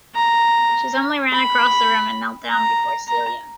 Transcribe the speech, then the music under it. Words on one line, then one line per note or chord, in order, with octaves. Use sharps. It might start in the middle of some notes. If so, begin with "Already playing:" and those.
She suddenly ran across the room and knelt down before Celia.
A#5
B5
A#5
A#5